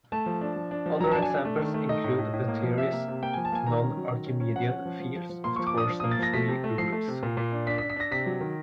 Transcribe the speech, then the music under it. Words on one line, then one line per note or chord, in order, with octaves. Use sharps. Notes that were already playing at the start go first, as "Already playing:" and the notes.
Other examples include the theories of non-archimedean fields and torsion-free groups.
A3 A5
F3
D4
F3
D4
F3
F#3 A#5
D4 A5
G#5
D4
A3
D#3
A3
D#4 D#5
A2
A2
A2
A#3
F3
C3 E5
A#3
C3
A#3 G5
F3 G#5
A5
A#3 G#5
D#3 A#5
C#4
F#3
D#3
C#4
C#4
F3 F#5
C#4
F3
F3
F3
F3
A#3 C6
F3 C#6
D6
D4 D#6
F3
A#3 D#6
A6
F3 A#6
A3 B6
C3
A3
F3 C7
A3
C3
A#2
A#2
D4
D4 B6
B6
D4
B6
D4 A#6
C3 B6
F#3
D#3